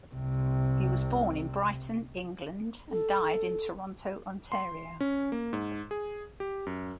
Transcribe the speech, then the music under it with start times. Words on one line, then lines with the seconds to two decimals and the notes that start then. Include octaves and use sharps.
He was born in Brighton, England and died in Toronto, Ontario.
0.15 C2 C3
2.91 A4
4.52 C6
5.01 C#4
5.32 A#3
5.53 G#2
5.91 G#4
6.40 G4
6.66 F#2